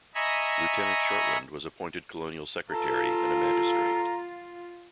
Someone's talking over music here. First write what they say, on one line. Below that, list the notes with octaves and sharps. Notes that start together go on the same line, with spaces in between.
Lieutenant Shortland was appointed colonial secretary and a magistrate.
D#5 E5 G#5 A#5 B5 C#6
F4 A4 A#5